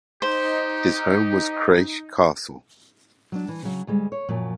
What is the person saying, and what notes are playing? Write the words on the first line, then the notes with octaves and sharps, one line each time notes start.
His home was Creich Castle.
D#4 G4 C5
F#3 D4
E3
C#3 F#3
D2 G3 G#3
C#5
F#2 A#2 F3 F#3